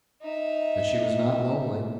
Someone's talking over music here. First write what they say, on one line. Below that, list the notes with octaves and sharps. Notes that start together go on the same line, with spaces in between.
But she was not lonely.
D#4 E5